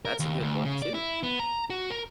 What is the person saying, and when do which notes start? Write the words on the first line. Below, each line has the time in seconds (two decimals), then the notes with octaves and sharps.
that's a good look too.
0.05 A#4
0.20 D#2
0.40 D2
0.65 C#3
0.82 D5
0.94 E4
1.23 B3
1.39 A#5
1.70 F#4
1.90 A#4